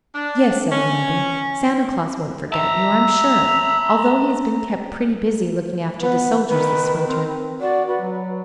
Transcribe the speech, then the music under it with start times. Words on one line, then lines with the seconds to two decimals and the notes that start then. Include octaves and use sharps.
"Yes," said her mother, "Santa Claus won't forget you, I am sure, although he has been kept pretty busy looking after the soldiers this winter."
0.15 D4
0.71 C#4
2.52 E5 A5 A#5
6.01 B3 B4
6.47 D#3 B4
7.07 C4
7.61 F#4 D5
7.87 F#4 B4
8.01 F#3